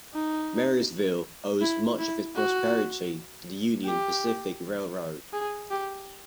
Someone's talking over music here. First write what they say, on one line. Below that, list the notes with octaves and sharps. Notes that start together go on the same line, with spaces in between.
Marysville owes much of its prosperity to the Union Pacific Railroad.
D#4
E4
E4
F#4
G4
G#4
G4